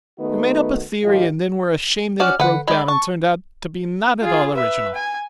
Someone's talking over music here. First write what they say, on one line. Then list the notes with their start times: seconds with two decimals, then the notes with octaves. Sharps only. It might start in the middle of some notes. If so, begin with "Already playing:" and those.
You made up a theory and then were ashamed that it broke down and turned out to be not at all original!
0.18 D#3 A3 B3 D#4 F#4 B4
1.03 A2 D#3 F3 F4 G4 D#5
2.20 C#4 F#4 D5 F6
2.40 D3 B4 F#5
2.68 G#3 D5 B5
2.88 A5 C#6
4.21 F4 G#4
4.54 B4 E5
4.95 G#5